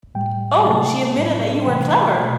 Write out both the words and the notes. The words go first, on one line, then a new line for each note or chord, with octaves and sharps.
Oh, she admitted that you were clever!
A2 G3 G5
C3 F#3 A3 A5
A2 G3
C3 E3 A3 G5
B2 A3 F#5